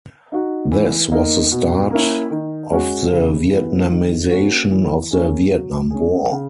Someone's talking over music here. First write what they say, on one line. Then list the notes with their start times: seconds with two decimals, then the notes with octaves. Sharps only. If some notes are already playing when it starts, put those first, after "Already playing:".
This was the start of the "Vietnamization" of the Vietnam War.
0.32 D#4 F#4
0.72 E3
1.11 A#3 D#4
1.52 B2
1.91 A#3 C#4 E4
2.31 D#3
2.70 G#3 C#4 F#4
3.12 C#3
3.50 E3 B3
3.90 D#3
4.30 A#3 C#4 F#4
4.71 E3
5.11 A#3 C#4 G#4
5.50 F#3
5.90 C#4 G#4
6.31 C#3